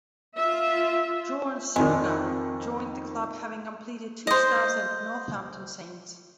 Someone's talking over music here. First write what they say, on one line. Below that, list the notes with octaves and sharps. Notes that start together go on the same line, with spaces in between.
John Surguy joined the club having completed two spells at Northampton Saints.
F4 E5
F2 D#3 G#3
C5 D#5